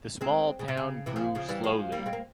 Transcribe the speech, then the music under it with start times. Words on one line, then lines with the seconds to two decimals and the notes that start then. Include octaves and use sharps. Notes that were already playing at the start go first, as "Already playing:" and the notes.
The small town grew slowly.
0.21 G#3 C4
0.59 C#3
0.68 C3
0.77 C#3
1.06 C3 E3
1.16 C#3 F3
1.35 C#3 F3
1.49 E3 G3
1.64 F3 G#3
1.92 G3 A#3
2.06 G#3 C4
2.13 A#3